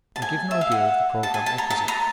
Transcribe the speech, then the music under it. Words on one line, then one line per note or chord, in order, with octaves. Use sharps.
I give an idea of the programme opposite.
A5
G#5
E5
F5
F#5
A5
G#5
A5
A#5
A5
A#5